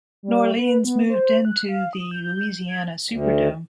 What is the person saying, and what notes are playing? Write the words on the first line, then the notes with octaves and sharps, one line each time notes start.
New Orleans moved into the Louisiana Superdome.
G3
B4
B3
C5
F#6
F5
D#6
G6
G#6
D2